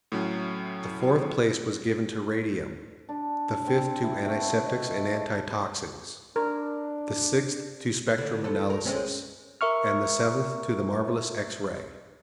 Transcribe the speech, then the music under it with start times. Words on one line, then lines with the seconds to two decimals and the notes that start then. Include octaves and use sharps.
The fourth place was given to Radium, the fifth to Antiseptics and Antitoxines, the sixth to Spectrum Analysis, and the seventh to the marvelous X-Ray.
0.12 A2 F#3 C#4
3.09 D4
3.67 C4
4.03 E4
4.25 A3
4.40 B3
4.66 D#5
5.14 D5
6.36 D4 A#4
8.18 D3
8.44 E2 F3 A4
8.70 A#4
8.85 G#3 C4 C#4
9.61 A#4 E5 C#6 F6